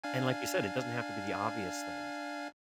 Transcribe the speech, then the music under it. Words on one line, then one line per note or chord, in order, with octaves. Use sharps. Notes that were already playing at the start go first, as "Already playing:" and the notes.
and like you said, it doesn't have to be the obvious things,
D4 F5 G#5